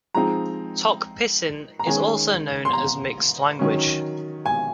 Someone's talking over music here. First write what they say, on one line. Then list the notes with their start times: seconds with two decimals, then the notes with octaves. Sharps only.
Tok Pisin is also known as a "mixed" language.
0.15 F3 G#3 C4 D#4 A#5
1.79 A#5
1.87 D#3 G#3 C#4 G#5
2.65 C6
2.73 A#5
3.59 D#3 F#3 C#4
4.46 G#5